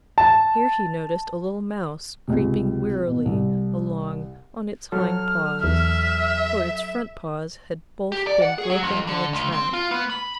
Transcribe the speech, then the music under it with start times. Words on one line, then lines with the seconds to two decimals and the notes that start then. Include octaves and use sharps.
Here he noticed a little mouse creeping wearily along on its hind paws, for its front paws had both been broken in a trap.
0.18 A5
2.28 C#2 C3
3.07 B2
3.26 C2
4.92 F#3 A4 F6
5.64 E2 E5
8.12 G4
8.27 D5
8.42 F#5
8.58 G#4
8.70 F#3
8.83 F2
9.07 D3
9.33 C#2
9.52 C4
9.73 F4
9.91 B3
10.10 B5